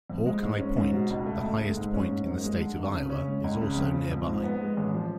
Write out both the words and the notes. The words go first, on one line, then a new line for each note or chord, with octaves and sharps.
Hawkeye Point, the highest point in the State of Iowa, is also nearby.
F2
G#3
G#2
C#4
G#2
B2
C#2
A3
C#2
G#3
G#2
C#4
G#2
F#2
G#3
D3
G#1
C#3
C#4
G#3
C#2
C#3
F2
F3
F2
G#2
B3
G#3
A1
F3